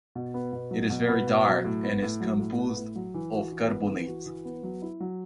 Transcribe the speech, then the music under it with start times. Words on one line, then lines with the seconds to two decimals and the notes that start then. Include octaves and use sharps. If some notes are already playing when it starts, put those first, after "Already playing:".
It is very dark and is composed of carbonates.
0.15 B2
0.34 B3
0.53 B2
0.71 F#3
0.90 B2
1.09 B3
1.27 B2
1.46 F#3
1.65 A2
1.83 B3
2.02 A2
2.20 F#3
2.39 A2
2.58 B3
2.77 A2
2.95 F#3
3.14 E3
3.32 F#4
3.51 E3
3.69 B3
3.88 E3
4.07 F#4
4.26 E3
4.45 B3
4.63 F#3
4.82 E4
5.00 F#3